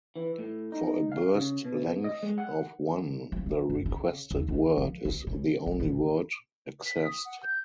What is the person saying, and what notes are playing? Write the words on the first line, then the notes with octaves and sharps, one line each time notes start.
For a burst length of one, the requested word is the only word accessed.
E3
A2
D#4
F5
C#3
B2
D#5
G#3
F#5
F3
D3
F#1
C#3
D#2
D2
F3
D2
C#3
A1
A1
B6
D#6
F#5
G6